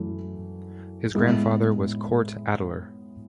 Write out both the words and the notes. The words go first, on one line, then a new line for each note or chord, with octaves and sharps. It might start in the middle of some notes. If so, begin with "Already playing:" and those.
His grandfather was Cort Adeler.
Already playing: F#2 E3 A3
A2 G#3 B3 E4